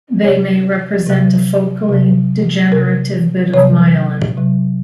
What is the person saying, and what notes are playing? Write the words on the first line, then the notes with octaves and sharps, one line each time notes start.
They may represent a focally degenerative bit of myelin.
C3 F#3 C#5
C3 F#3
C3 F#3
C3 F#3 A#4
C3 F#3 C#5
C3 F#3